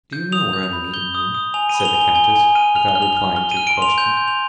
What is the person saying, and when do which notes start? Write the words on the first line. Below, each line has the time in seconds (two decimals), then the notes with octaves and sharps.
"Do you know where I am leading you?" said the countess, without replying to the question.
0.13 G6
0.32 D#6 F7
0.53 G6
0.63 F7
0.73 B5
0.94 G6 G7
1.15 D#6
1.35 D#6
1.54 G#5 F7
1.69 D#7
1.75 B5
1.80 G7
1.85 F7
1.95 G#5
2.00 G7
2.15 G#5 G7
2.36 G#5
2.55 F6 D#7
2.75 F6 F7
2.88 G7
2.95 F6
3.02 F7
3.17 F6
3.36 F6 G7
3.51 D#7
3.57 F6
3.67 D7
3.77 C6 F7
3.98 G6 F7
4.17 G6
4.28 F7